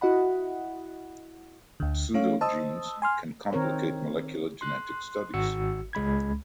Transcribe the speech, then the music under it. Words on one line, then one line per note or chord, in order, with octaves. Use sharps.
Pseudogenes can complicate molecular genetic studies.
E4 F#4 D#5 F#5 B5
D2 D3
A3 C#4 C#5 F5
C5 D#5 A5 D#6 E6
G#5 C6 F6
D#3 C4 A#4 C#5
C6 F#6
G#1 F#4 E6 C#7
C#2 G#3 B5 G#6